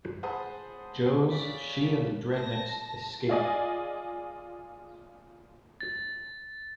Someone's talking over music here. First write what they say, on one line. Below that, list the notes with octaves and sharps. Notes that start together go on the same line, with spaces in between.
Joes, she and the Dreadnoks escape.
G#4 C5 F#5 A5 B5 D#6
C#3 D5 B6
A5 A#6
F4 G#4 D5 D#5 G#5
A6